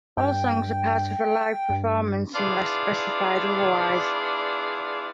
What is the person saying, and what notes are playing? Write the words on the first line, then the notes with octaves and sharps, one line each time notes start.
All songs are part of the live performance unless specified otherwise.
G2 G5
G2
B3 D4 E4 F4 G#4 D5